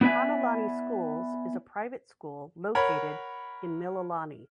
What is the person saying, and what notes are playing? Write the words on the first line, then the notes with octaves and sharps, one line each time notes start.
Hanalani Schools is a private school located in Mililani.
B3 E4 B4 D5 E5 G#5
A#4 C#5 F#5 B5